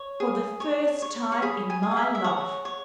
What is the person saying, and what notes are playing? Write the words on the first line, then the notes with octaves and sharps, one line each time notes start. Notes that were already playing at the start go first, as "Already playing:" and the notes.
"For the first time in my life!"
Already playing: C#5
G#4
C#5
C#5
C#6
G#4 B5
G#5
G#4
F#5
E5
E5
C#5 F#5
C#5